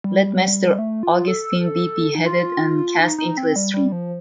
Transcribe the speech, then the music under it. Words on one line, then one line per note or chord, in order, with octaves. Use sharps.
Let Mr. Augustin be beheaded, and cast into a stream.
G3
A3
F4
A4
D#4
F4
D#4
D#4
C4
G3
G3
F3